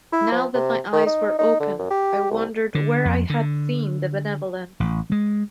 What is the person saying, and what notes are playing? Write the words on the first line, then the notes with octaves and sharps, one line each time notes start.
Now that my eyes were opened I wondered where I had seen the benevolence.
E4
F3
C3
D#3
D#4
D#4
D3
F#2
G4
C2
D3
F2
D3
A1
G#3